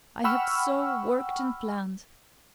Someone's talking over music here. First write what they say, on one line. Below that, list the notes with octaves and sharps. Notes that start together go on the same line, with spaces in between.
I have so worked and planned.
F#5 G5 B5 C#6 E6 F6